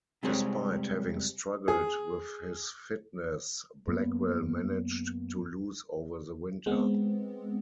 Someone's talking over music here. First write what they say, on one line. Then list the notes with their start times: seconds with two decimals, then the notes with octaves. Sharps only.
Despite having struggled with his fitness, Blackwell managed to lose over the winter.
0.23 C3 G3 G#3 C4 G#4 C#5
1.68 G#4
3.87 F#2 A#3 B3
6.66 G#3 B3 C4